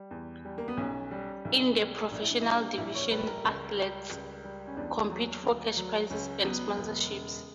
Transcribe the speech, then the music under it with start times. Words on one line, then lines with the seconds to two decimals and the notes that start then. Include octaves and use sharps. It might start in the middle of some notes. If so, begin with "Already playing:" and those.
In the professional division athletes compete for cash prizes and sponsorships.
Already playing: G3
0.11 E2
0.45 G3
0.58 A#3
0.68 B3
0.77 B1 C#4
1.11 G3
1.45 B1
1.78 G3
2.11 A#1 D4
2.20 E4
2.30 D4
2.41 G3 E4
2.50 D4
2.77 A#1 E4
2.95 C#5
3.11 G3 B4
3.27 A#4
3.44 C#2
3.77 G3
4.11 C#2
4.44 G3
4.67 C#4
4.77 E2 D4
5.11 F#3
5.44 D2
5.77 F#3
6.10 C#2 C#4
6.44 F#3 B3
6.77 E1 B3
7.10 C#3